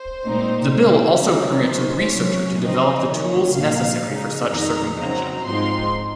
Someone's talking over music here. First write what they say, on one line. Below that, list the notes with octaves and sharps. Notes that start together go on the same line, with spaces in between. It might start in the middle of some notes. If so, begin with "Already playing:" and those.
The bill also permits a researcher to develop the tools necessary for such circumvention.
Already playing: C5
A#2 G#3 C4 D#4
C#3 G#3 C4
C#3 F3 C4 D#4 C#5
D#3 F#3 C#4 C5
C3 F#3 C#4 C#5
C#3 F3 C4 D#4 D#5
D#3 A#3 C#4 C#5
A#2 F3 A#3 D#4 F5
C#3 G#3 D#4
F2 D#3 G#3 D#4 A#5
C#3 F#3 C4 D#4 A#5
G#2 F3 G#3 C4 D#4 C6